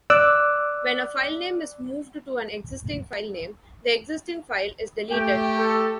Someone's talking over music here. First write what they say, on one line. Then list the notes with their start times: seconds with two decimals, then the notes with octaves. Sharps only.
When a filename is moved to an existing filename, the existing file is deleted.
0.10 D5 D6 E6 F#6
5.12 A3 G4 G5
5.58 A4